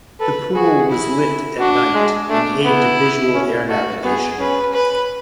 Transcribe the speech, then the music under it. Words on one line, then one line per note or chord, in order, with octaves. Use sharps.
The pool was lit at night - an aid to visual air navigation.
A4 B4
F#4 G#4
E4
D4 F#4
G#3
A3 D4
B3 E4
C#4
A3 F#4
B3 G#4
C#4 B4
B4